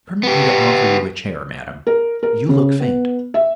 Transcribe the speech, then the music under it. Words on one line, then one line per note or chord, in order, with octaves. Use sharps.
'Permit me to offer you a chair, madam; you look faint.'
B3 G4
A#4
A#4
C#3
B3
E5